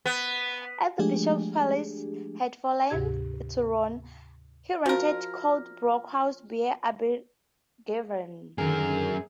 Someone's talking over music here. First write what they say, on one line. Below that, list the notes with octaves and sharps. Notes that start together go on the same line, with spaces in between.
As the bishop's palace had fallen to ruin, he rented Coldbrook House bear Abergavenny.
B3
F3 G#3 A3 D4 G4 G#4
D2 G#2 C3 G4 G#6
F3 F#4 A#4
F#2 D3 D#3 A#3 G#4 A#4